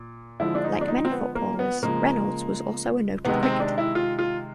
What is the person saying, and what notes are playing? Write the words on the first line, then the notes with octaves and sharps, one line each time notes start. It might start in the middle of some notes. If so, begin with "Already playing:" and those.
Like many footballers, Reynolds was also a noted cricketer.
Already playing: A#2
D3 F3 G#3 E4
D4
D#4
D4
D#4
C4
B3
A#3
B3
C#3 F3 G#3 A#3
C3 D#3 G#3 B3
C4
D4
E4
F4
F4